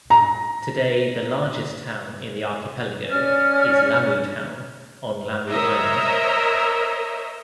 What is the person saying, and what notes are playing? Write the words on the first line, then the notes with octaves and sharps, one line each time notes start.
Today the largest town in the archipelago is Lamu Town, on Lamu Island.
A#5
C#4 D5 F6
A#4 C5 C#5 D#5 E5 A#5